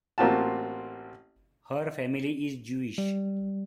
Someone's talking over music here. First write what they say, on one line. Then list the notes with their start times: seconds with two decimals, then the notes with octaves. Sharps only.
Her family is Jewish.
0.18 A1 A#3 C4 F4 F#4 A5
2.98 G3